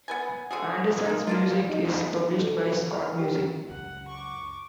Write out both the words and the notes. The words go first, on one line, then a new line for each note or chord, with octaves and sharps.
Anderson's music is published by Schott Music.
B3 B4 G#5
D3 F#4 G#4
A#3 D#4
A#3 D4 F4
D#4
A4
F6
G4
C#2 F#2 F#5
C#6 D6